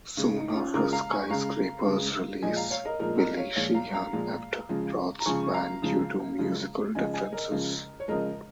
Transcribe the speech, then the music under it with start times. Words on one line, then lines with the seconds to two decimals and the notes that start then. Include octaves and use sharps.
Soon after "Skyscraper"'s release, Billy Sheehan left Roth's band due to musical differences.
0.17 C#3 G#3 C#4
0.36 D#4
0.48 D#4
0.54 C#4 F4
0.73 C#3 G#3 F4 A#4
0.92 F5 A#5
1.11 G#5 C#6
1.30 C#3 G#3 F5 A#5
1.86 C#3 G#3
2.42 A#2 F3 G#3 D#5 G#5
2.56 F5 A#5
2.71 C#5 F5
2.85 A#4 D#5
2.99 A#2 F3 G#3 A#4 D#5
3.19 A#4 D#5
3.37 C#5 F5
3.56 A#2 F3 G#3 C#5 F5
3.74 F5 A#5
3.93 F5 A#5
4.13 A#2 F3 G#3
4.69 C#3 F3 G#3
5.20 A#5
5.26 C#3 F3 G#3 G#5 C#6
5.54 F5 A#5
5.82 C#3 F3 G#3
6.38 C#3 F3 G#3
6.95 C#3 F3 G#3 D#5 G#5
7.14 D#5 G#5
7.33 A#4 D#5
7.51 C#3 F3 G#3
8.00 C#5
8.08 C#3 F3 G#3 A#4 D#5